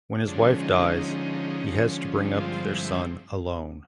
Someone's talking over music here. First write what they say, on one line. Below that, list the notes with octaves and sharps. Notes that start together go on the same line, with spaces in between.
When his wife dies he has to bring up their son alone.
D3 F3 G#3 C#4 D4
D#4
D3 F3 G#3 C#4
D3 F3 G#3 C#4
G2 D3 F3 G#3 C4 F4
E4